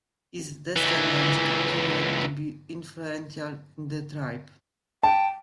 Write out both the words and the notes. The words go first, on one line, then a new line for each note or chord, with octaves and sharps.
His descendants continued to be influential in the tribe.
C#2 E3
G5 A5